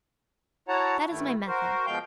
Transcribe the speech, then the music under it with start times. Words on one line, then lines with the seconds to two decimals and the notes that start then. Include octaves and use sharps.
That is my method.
0.68 E4 F#4 C#5 F#5 A5 A#5
1.10 G2 D#3 A3 E4
1.47 F#4 A#4 C5
1.86 B2 F3 G#3 F5 G5 G6